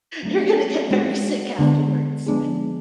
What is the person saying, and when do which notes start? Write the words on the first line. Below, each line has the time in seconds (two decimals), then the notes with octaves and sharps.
you're gonna get very sick afterwards.
0.23 F#3 A3 D4
0.91 G#3 D4 F#4 C#5
1.59 D3 G#3 B3 D4
2.26 F3 G#3 B3 D4 G#4